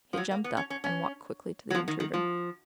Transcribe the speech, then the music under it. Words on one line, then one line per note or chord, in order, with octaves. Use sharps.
He jumped up and walked quickly to the intruder.
F3
F#3
A#3
B3
C#4
C#4
C#4
F#3
F3
D#3
D#3
F3